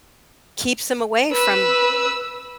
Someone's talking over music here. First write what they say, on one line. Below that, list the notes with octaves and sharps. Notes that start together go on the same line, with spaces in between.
keeps them away from
B4 E6